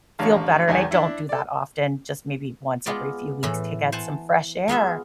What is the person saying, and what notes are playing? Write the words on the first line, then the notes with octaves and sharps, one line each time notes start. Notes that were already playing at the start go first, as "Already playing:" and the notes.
feel better and I don't do that often, just maybe once every few weeks to get some fresh air.
A1 D3 C#5 F5 A5
G#1 E2 D#3 F#5 G#5
D4 E4
A4 D5
G#3 B3 F4 D5
A2 E3
C5 F#5 G#5 A5
G#3 B3 F4 E5